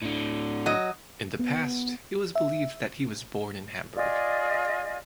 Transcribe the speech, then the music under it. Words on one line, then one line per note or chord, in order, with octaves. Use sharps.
In the past it was believed that he was born in Hamburg.
A2 D3
F#3 D#5
B3
E5
F4 G#4 D5 D#5